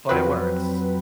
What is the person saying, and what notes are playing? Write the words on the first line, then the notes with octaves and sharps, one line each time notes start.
but it works.
F2 F#3 C4 B4